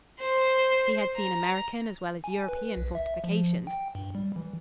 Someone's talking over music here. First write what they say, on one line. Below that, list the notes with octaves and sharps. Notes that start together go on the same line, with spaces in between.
He had seen American as well as European fortifications.
C5
A#5
G#5
B4
B1
E5
F3
G5
G2
G3
E3